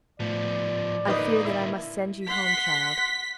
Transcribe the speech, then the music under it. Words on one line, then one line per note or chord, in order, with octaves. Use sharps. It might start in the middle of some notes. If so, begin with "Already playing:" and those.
I fear that I must send you home, child.
A2 F3 B3 D5
D3 A#3 D#4 B4 D#6
E4
F#5 C6 B6